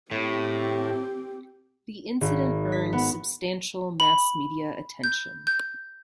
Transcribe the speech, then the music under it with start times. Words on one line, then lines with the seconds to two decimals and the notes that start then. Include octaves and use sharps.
The incident earned substantial mass media attention.
0.12 A2 C4 G4
2.21 G#1
2.72 B6
2.93 B3
4.00 B5
5.04 G6
5.47 G6